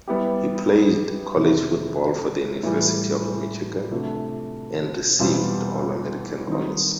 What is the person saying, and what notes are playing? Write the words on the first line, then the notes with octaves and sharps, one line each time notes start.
He played college football for the University of Michigan, and received All-American honors.
G3 B3 E4 G4
F2 C3 D#3
A2 E3 G3
C3 F3 A3 D4 F#4
E2 B2 G3 C4 F4
D#3 G3 C4 D#4